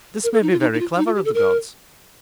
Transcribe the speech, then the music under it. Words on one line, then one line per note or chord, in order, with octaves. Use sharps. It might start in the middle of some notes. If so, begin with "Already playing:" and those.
This may be very clever of the gods.
A#4
A4
D#4
F4
D#4
D#4
F4
F4
D#4
F4
G4
A4
A#4